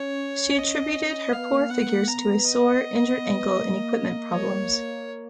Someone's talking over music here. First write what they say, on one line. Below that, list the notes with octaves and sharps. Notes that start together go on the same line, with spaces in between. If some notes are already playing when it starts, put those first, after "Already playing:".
She attributed her poor figures to a sore, injured ankle and equipment problems.
Already playing: C#4 C#5
D#5
B3 F5
A#3
B3 F#5
A#3
B3 A#5
D#5
A#3
C#5